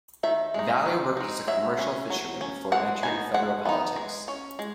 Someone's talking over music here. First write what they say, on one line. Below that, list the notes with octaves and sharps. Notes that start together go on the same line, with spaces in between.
Valley worked as a commercial fisherman before entering federal politics.
D#3 E5
G#3 D#4
D#3
G#3 D#4
F#3 E5
C#4
F#3
C#4
G#3 F#5
B3 D#4 G#5
G#3 F#5
B3 D#4
G#3
C#4
G#3